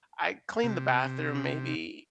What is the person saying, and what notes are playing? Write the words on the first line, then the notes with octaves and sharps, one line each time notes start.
I clean the bathroom maybe,
C3